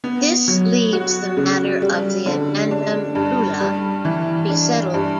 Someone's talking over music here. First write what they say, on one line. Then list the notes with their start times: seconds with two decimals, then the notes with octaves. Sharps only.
This leaves the matter of the addendum "dula" to be settled.
0.04 B3
0.48 F#3
0.93 F#4
1.37 C#3
1.82 G3
2.26 D3
2.71 D4
3.15 G2
3.60 G3
4.05 E3
4.49 D4
4.94 G2